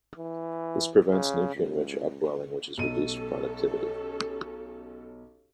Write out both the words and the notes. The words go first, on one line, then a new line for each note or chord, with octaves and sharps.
This prevents nutrient-rich upwelling which has reduced productivity.
E3
C#3
C#2
B1 C#4 G4 A4 D#7